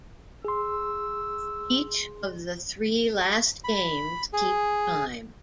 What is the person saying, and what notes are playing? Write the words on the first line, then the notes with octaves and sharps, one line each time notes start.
Each of the three last games keep time.
G#4 C6 E6
B5
G#4